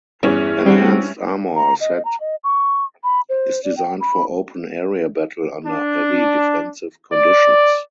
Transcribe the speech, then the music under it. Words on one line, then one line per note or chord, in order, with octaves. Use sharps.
Enhanced armor set is designed for open area battle under heavy defensive conditions.
E2 G2 C#4 E4
G3 C4 D4 F#4
A#5
D#5
A#5
D#5
C#6
B5
C5
D5
G5
B5
D4
D5